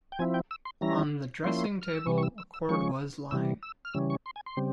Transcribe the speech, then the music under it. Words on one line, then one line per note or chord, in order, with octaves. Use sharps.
On the dressing-table a cord was lying.
G5
F3 C4 E4 G#5
G5
E6
C6
E3 G3 C#4 E4 A#5
F3 A#3 C#4 E4 C6
F6
E6
C3 E3 G3 C#6
C#6
E6
E6
E6
F3 G#3 C#4 C#6
C3 E3 G3 E6
E6
F6
C#3 E3 G3 C#4 E6
C#6
C6
G#5
C6
C#3 G3 C4